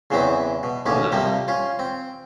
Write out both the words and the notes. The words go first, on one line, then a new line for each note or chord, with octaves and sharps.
Oh, definitely.
E2 C#3 E3 F#3 B3 C4
B2
A1 D#2 B2 C#4
C3 F3 G3 A#3
C#4 F4
C4